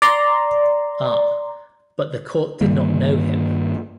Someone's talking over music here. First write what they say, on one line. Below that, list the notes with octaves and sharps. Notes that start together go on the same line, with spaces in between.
Ah, but the court did not know him.
D5 A#5 C6
G2 D#3 G3 A#3